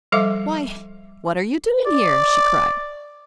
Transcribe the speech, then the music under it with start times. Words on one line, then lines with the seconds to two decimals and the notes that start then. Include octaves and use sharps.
"Why, what are you doing here?" she cried.
0.12 F3 G3 A4 E5 F5 D6
1.86 D5